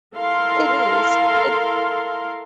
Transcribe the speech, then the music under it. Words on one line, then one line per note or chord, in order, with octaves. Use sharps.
It is, and
E4 A4 A#4 F5 C6